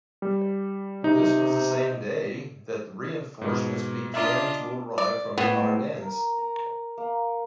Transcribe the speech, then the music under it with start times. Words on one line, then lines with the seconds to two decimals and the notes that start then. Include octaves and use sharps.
This was the same day that the reinforcements began to arrive from the Ardennes.
0.22 G3
1.04 C3 D#4
3.42 G#2 B2
4.14 D4 F4 D#5 E5 A#5 D6
4.98 D5
5.38 A2 B3
6.00 A#4
6.38 A#5
6.98 A#3